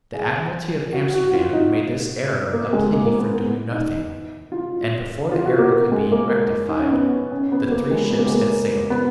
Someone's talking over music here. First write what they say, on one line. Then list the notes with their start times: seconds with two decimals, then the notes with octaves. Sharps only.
The Admiralty of Amsterdam made this error a plea for doing nothing; and, before the error could be rectified, the three ships had sailed.
0.14 G#4
0.93 F#4
1.14 F#4
1.34 F4
1.53 D#4
2.53 A#3
2.73 G#3
2.93 A#3
3.06 A#3
3.19 B3
3.33 B3
3.72 D#4
4.52 F4
5.32 F4
5.45 F#4
5.58 A#3
5.72 A#3
5.92 G#3
6.12 A#3
6.68 D#4
6.80 C#4
6.91 B3
7.32 C#4
7.52 B3
7.71 A#3
7.91 G#3
8.11 B3
8.19 A#3
8.26 G#3
8.33 A#3
8.90 B3